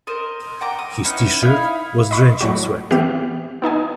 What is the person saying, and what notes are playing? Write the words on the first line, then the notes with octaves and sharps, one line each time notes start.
His t-shirt was drenched in sweat.
A#4 C5 D#5
F#5 G5 A#5 D6
D#6
B3 C#4 D#4 E4
D#4 E4 F5 B5
D#5 B5 C#6
A2 F#3 F#4
E3 B3 C4 G4 F6
B3 D#4 D#5 G#5